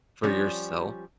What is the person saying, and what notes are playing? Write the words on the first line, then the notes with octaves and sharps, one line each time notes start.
for yourself,
F3 G3 C#4